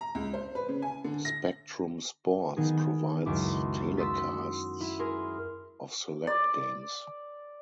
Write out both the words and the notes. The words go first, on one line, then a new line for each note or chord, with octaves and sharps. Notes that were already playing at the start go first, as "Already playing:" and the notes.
Spectrum Sports provides telecasts of select games.
A#5
C#2
C5
B4
C#3
G#5
D3
A#6
D#3 B3 D#4 G#4
C#2 F#2 G#3 E4 D6
C6 D#6 E6 A6 B6
E4
G#4 A#4 C6
D5